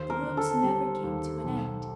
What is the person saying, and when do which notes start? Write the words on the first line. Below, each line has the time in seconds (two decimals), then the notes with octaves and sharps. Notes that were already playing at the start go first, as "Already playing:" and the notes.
The rooms never came to an end.
Already playing: D#2 C5
0.10 A#4
0.23 D3
0.37 A4
0.63 G3
1.04 D#2
1.44 B1